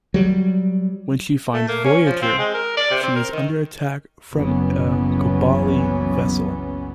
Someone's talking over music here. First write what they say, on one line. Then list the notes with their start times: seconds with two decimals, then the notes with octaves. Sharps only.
When she finds "Voyager", she is under attack from a Kobali vessel.
0.14 F#3 G3
1.53 A3
1.68 A#3
1.84 C#4
2.06 F3
2.22 C4
2.38 G#3
2.54 A#4
2.77 D5
2.91 C3
3.03 C4
3.16 A#4
3.33 D#3
4.34 F#1 C2 E3 F#3 B3 C#4